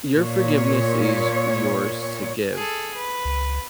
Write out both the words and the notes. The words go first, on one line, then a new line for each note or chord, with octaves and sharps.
your forgiveness is yours to give,
A#2 C#5
G#4 A4
B4
C#2